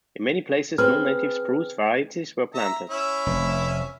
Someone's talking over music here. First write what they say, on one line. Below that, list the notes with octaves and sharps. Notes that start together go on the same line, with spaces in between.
In many places non-native spruce varieties were planted.
C4 G#4 B4 F6
E5 A#5
C#4 E4 E5
F1